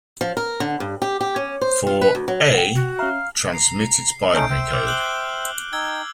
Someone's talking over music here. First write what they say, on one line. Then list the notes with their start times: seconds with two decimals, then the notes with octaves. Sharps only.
For "a" transmit its binary code.
0.21 F3
0.37 A#4
0.60 D3
0.80 G2
1.02 G4
1.21 G4
1.36 C#4
1.61 C5
1.87 F4
2.01 B4
2.15 D2
2.28 F#3
2.54 F#5 G5
2.75 F#4
2.99 C#4 E5 F5 A#5
3.53 A#5 C7
4.35 A3 C#4 D#4 G6 D7
4.50 C5 E5 G5
4.71 D6 F6
4.87 F#6 F#7 G7
5.73 D#4 G5 E6 G#6 G7